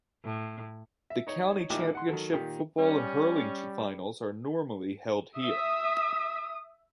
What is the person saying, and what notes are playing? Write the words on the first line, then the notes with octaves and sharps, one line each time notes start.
The County Championship football and hurling finals are normally held here.
A2
E5
D#4 C#5
G#1 A#2 D#3 E4 G4 D6
F#5 C6
D#3 F#3 A4
A#2 D#3 G4
G3 C#4
E5 D#6